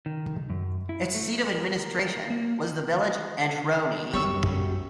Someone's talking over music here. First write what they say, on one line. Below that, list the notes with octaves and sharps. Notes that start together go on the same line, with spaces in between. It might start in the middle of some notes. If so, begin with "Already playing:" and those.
Its seat of administration was the village Antroni.
D#3
F#2
E4
A3
A#4
A#3
F#2 G3 B3 C#5 C#6 E6